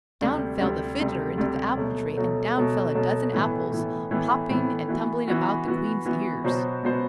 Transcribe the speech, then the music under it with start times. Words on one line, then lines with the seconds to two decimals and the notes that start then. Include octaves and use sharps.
Down fell the Fiddler into the apple-tree and down fell a dozen apples, popping and tumbling about the queen's ears.
0.21 D2 C3 G3
0.60 D2 C3 G3
1.00 D2 C3 G3
1.38 D2 C3 G3
1.77 B2 F#3 A3
2.16 B2 F#3 A3
2.55 B2 F#3 A3
2.94 B2 F#3 A3
3.33 A2 E3 B3
3.72 A2 E3 B3
4.11 A2 E3 B3
4.49 A2 E3 B3
4.88 E3 B3 F#4
5.28 E3 B3 F#4
5.66 E3 B3 F#4
6.06 E3 B3 F#4
6.44 B2 F#3 B3 F#4 C5
6.83 B2 F#3 B3 F#4 C5